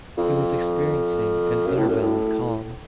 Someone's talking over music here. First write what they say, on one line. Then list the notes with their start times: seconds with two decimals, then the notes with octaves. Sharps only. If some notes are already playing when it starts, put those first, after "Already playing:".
He was experiencing an interval of calm.
0.17 F2
1.66 F#2
1.77 A2
1.88 F#2
2.02 A2